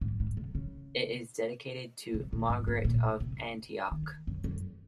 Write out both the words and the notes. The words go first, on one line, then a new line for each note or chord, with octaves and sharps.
It is dedicated to Margaret of Antioch.
G#2
G#2
C3
C#3
C3
A#2
G#2
G#2
A#2
C3
D#3
F#2
F#2